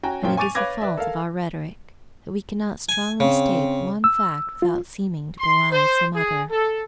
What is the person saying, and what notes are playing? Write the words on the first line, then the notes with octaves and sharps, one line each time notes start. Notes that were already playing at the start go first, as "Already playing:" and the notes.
But it is the fault of our rhetoric that we cannot strongly state one fact without seeming to belie some other.
C#4 F#4 G5 G#5 A#5
F#2 A#2 F3 C#4 F4 G5
G#5 C#6 D6 A6 D#7 F7
B4 C#5 F5 D6 G#6 A#6
B4 D5 E5
A4 A#4 F5
G#5
C#3 C4
E6
F4
C6
C5
G#4
A4